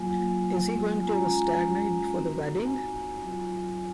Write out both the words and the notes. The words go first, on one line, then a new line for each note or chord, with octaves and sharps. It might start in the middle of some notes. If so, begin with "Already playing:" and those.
Is he going to have a stag night before the wedding?
Already playing: F#3 A#3 F4 G#5
G#3 C#4 F4 G#5
A#5
G#5
A#5
C4 D#4 F#4
G#5
F#3 C4 F4
G#5